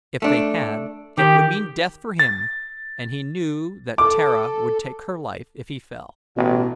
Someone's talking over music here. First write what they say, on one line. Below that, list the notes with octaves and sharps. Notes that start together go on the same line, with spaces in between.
If they had it would mean death for him, and he knew that Tara would take her life if he fell.
A3 D4
D#3 G4
A6
A4 D6
A1 B2